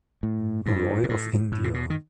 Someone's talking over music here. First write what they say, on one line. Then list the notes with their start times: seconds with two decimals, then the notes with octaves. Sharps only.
Roy of India.
0.23 A2
0.66 G2
1.04 B2
1.09 A2
1.52 A2
1.64 C3
1.74 B2
1.90 D#3